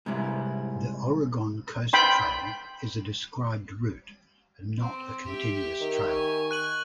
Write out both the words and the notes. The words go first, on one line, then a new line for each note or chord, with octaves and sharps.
The Oregon Coast Trail is a described route and not a continuous trail.
G#2 C3 G3 E4
G5 B5 C6
C4
G4 E5
D#3
G#5 C#6
F#6 D#7 F#7